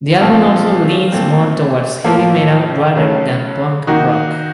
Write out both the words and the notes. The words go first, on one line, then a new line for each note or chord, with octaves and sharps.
The album also leans more towards heavy metal rather than punk rock.
A#2 F3 A3 C4 F4 A4
A#2 A3 C4
A2 F3 A#3 F4 A4
C#3 F#3 A3
D#3 A#3 D#4 F#4